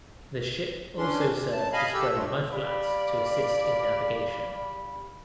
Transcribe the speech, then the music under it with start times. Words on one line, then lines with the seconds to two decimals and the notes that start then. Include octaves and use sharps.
The ship also served to spray mudflats to assist in navigation.
0.98 C#4 D4 C6
1.26 C3
1.52 F#2 A5
1.73 D#5 F5 G#5 B5
1.94 G4 A4 E6
2.14 G2 A#2 G#3 A3
2.51 G4 D5 F5 B5